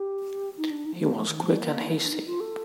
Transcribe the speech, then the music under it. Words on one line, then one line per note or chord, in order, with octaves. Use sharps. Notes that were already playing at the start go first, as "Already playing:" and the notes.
He was quick and hasty.
Already playing: G4
D#4
D4
D#4
F3
D#3
D#3
F3
D#3
F3
G3
A#3
D4
D#4
F4
A4